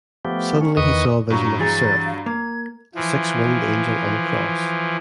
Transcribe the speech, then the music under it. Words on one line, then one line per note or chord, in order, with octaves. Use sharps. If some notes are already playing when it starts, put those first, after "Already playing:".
Suddenly he saw a vision of a seraph, a six-winged angel on a cross.
F3 A3 B3 G4
C#4
E2 D#3 B4 D#5 C#6 D#6
G2 F#3 A#5 C#6
E3 G#4 C#5 A6
F5
A#3 G#6
E3 F3